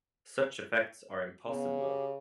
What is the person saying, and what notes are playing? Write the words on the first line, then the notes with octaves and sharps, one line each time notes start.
Such effects are impossible.
C#3 B3
G4